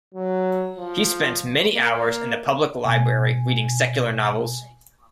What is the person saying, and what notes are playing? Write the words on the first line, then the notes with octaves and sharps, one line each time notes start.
He spent many hours in the public library reading secular novels.
F#3
F3
A#3
B2 G#5